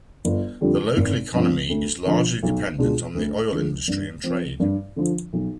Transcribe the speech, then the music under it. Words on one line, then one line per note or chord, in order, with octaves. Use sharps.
The local economy is largely dependent on the oil industry and trade.
G1
F2 D3 G3
G#1
G2 F3 C4
D2
D3 F3
B1
B2 G#3 D4 F4
D2
D3 F3 G#3
G2
F3 C4
G2
D3 F3
B1